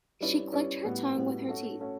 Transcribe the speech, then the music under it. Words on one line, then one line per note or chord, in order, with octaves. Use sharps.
She clicked her tongue with her teeth.
G3 C#4 E4 B4 D5
G3 C#4 E4 B4 D5
A2 G3 B3 F#4
A2 G3 B3 F#4
A3 C#4 F#4
A3 C#4 F#4